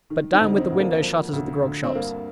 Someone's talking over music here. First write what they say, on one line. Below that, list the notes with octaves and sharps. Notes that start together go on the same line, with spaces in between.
But down with the window-shutters of the grog shops.
D#3
C4 D#4
D2
C4 D#4
D2
A#3 D4
F3
D2
D2
C4
G2 A#3 D4